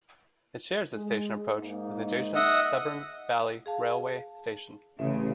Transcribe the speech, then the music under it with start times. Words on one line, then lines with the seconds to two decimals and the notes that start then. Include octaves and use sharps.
It shares its station approach with the adjacent Severn Valley Railway station.
0.95 G#3 G#4
1.59 G#2 A#3 D#4
2.35 D#5 E5 F#5
3.66 G#4 F5 A5
4.99 A1 C#3 E5